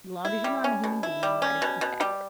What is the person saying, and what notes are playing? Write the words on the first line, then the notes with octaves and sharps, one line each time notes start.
"Long as you know I'm a human being, why does it matter?
E4
G3
C#4
B2
E4
G3
C#4
B2
B2
G3